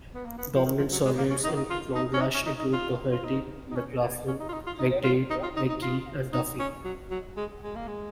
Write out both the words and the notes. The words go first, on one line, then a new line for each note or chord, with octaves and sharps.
Dominant surnames in Clonglash include Doherty, McLaughlin, McDaid, McGee, and Duffy.
B3
A#3
B3
F3
D#3
F3
F#3
G#3
A#3
C#4
D#4
D#4
F4
D#4
C#4
D#4
C#4
D#4
D#4
F4
F4
D#4
D#4
C#4
B3
C#4
D#4
F4
D#4
F4
D#4
F4
D#4
F4
D#4
D#4
F4
D#4
C#4
F#3
F#3
G#3
G#3
A#3
G#3